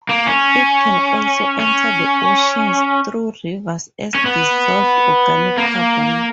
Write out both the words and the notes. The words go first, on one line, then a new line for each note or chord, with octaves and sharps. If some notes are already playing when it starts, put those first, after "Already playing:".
It can also enter the oceans through rivers as dissolved organic carbon.
A#3
C#4
C#4
C#4
B3
A#3